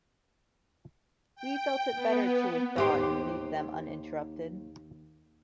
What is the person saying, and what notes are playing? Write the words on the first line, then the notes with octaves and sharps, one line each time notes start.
We felt it better to withdraw and leave them uninterrupted.
G5
B3
D#2 G4 C5